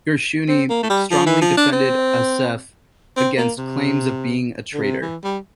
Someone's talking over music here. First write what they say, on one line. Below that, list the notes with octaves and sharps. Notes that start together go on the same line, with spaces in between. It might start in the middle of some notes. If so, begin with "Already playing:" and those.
Gershuni strongly defended Azef against claims of being a traitor.
C4
A#3
A3
G3
F3
E3
F3
D4
C4
C4
A#3
C3
D3
C3
E3
G3